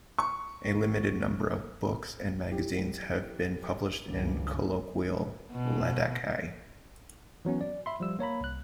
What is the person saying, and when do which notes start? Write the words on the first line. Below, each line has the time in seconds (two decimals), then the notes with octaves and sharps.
A limited number of books and magazines have been published in colloquial Ladakhi.
0.19 C#6
2.49 E3 E4 G4
4.08 G#1 C#2 G2 C#3
5.52 B2
7.45 E3 F#3 B3 C#4
7.61 D5
7.86 E5 B5 C6
8.00 F3 G3 E6
8.19 A#3 C#5 A#5 B5
8.41 C2 F#6